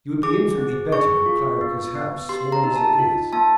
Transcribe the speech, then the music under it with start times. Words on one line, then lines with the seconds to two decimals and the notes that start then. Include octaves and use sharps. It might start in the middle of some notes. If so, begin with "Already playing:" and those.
You would be infinitely better in Clarriker's house, small as it is.
0.23 G#4 D6
0.57 C4
0.92 G#4 C#6
1.26 F4
1.61 B3
1.95 B3
2.29 G4 C6
2.52 A#5
2.64 D#4
2.76 A5
2.99 F4
3.33 A#3 A5